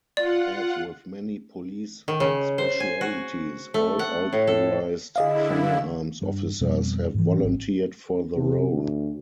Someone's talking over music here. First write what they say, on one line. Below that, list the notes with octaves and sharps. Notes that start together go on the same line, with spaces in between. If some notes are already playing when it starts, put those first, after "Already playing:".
As with many police specialities, all Authorised Firearms Officers have volunteered for the role.
F4 D5 F#5
D#3
C#3
C5
G#5
F#4
A3
F#5
A2
A4
D3 E4 G#4 D#5 F5
G2 G3
F2 B2 G3 C4
G#2 E3
G#1 C4
C3
D2